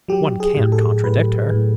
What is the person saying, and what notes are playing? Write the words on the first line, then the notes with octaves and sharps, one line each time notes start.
One can't contradict her.
F#3 G4
G#4
A2
A4
A2 B4
A2